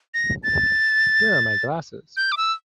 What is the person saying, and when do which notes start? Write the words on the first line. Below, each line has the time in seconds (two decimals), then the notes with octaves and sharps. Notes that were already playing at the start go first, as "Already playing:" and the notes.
Where are my glasses?
0.14 A#6
0.43 A6
2.17 G6
2.32 D6
2.37 E6